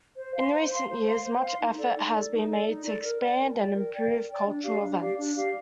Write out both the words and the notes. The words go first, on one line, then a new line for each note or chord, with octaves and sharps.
In recent years, much effort has been made to expand and improve cultural events.
C5
F5 C6
C5
F5 C6
C5
F5 C6
C5
F5 C6
D#4
A4 D5
D#4
A4 D5
D#4
A4 D5
D#4
A4 D5
A#4
D5 G5
A#4
D5 G5
A#4
D5 G5
A#4
D5 G5
D4
G4 D5 F5
D4
G4 D5 F5
D4
G4 D5 F5